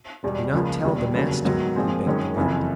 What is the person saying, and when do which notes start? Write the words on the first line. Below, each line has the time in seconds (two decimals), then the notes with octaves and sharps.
"Do not tell the master," he begged the Goat.
0.23 E1 E2 B2 G3
0.54 C#2 C#3 F3 A#3
0.84 E1 D#2 D#3 G3
1.14 F1 D#2 C#3 F#3
1.45 G#2 D#3 F#3 B3
1.76 A#2 F3 G#3 C4
2.06 F#2 D#3 G#3 C#4
2.36 F#1 F2 C#3 E3